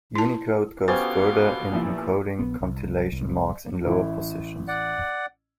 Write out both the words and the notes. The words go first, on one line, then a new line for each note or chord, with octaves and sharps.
Unicode goes further in encoding cantillation marks in lower positions.
E4 A5
B2 D3 B3 C#4 F4 G4 C5
A#2 F3 E4
A#1 B3
C2
C2
A1 E4
D5 F#5